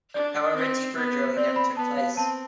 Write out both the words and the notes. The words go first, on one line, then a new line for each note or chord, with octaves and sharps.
However, deeper drilling never took place.
D4 D5
C4
B3
C5
C4 D5
B5
B3 A5
F5
C4 A5